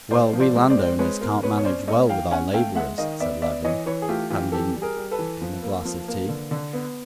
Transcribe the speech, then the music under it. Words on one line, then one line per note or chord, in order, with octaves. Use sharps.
"Well, we landowners can't manage well with our laborers," said Levin, handing him a glass of tea.
A2 C5 D5
F3
C5 D5
G#3
C5 D5
C4
G#3 B4 C#5
B2 A#4 C5
B2 B4 C#5
C#5
C#4 C5 D5
A3 C#5 D#5
E3 F5 G5
C#4 F#5 G#5
A3 F5 G5
G#3 E5 F#5
D#3 D#5 F5
B3 D5 E5
B3 D5 E5
E3 C#5 D#5
E3 B4 C#5
G#4
A3 F4 G4
E3 F4 G4
E3 G4 A4
G3
G#4 A#4
G3
A4 B4
E3
F3
A#3
F3
A#3
D3
D3
B3